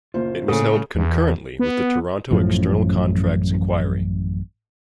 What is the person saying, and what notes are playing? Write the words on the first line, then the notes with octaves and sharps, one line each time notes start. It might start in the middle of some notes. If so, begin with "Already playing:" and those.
It was held concurrently with the Toronto External Contracts Inquiry.
F#1 A#2 F4 C5
A2 C#3 A4 G#5
E2
B3
A1 F#2 A2 F3